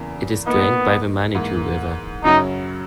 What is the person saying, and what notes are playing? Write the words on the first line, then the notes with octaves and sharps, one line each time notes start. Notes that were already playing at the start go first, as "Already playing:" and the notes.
It is drained by the Manitou River.
Already playing: E2 C#3 E3 A#3
A#2 A#3 B3 D#4
G#2 E3 A#3
F#2 C#3 F#3 C#4 D#4